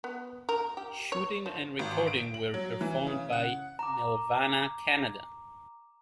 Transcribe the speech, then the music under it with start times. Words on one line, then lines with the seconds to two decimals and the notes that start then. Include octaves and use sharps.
Shooting and recording were performed by Nelvana Canada.
0.04 B3
0.49 A#4
0.77 G4
1.12 C#5
1.46 F3
1.79 G#1
2.07 D7
2.34 F#7
2.54 F#3
2.81 E3
3.07 C#3
3.33 F#5
3.79 A#5 D6